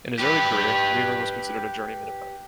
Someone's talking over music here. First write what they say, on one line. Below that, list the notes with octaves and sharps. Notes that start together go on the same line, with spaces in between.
In his early career, Weaver was considered a journeyman opponent.
G4 B4